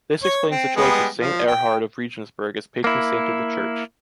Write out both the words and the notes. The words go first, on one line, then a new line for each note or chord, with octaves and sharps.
This explains the choice of St. Erhard of Regensburg as patron saint of the church.
C#5
C4
G3 G#3 B3
F3
G5
A#3 E4